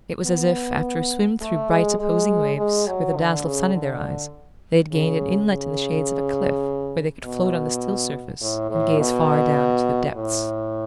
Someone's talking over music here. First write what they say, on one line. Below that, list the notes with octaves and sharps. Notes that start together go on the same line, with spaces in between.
It was as if, after a swim through bright opposing waves, with a dazzle of sun in their eyes, they had gained an inlet in the shades of a cliff, where they could float on the still surface and gaze far down into the depths.
B3
A3
G#3
G#3
G#3
F#3
D3
C#3
D3
C#3
C#3
B2
A2
A2
B2
A2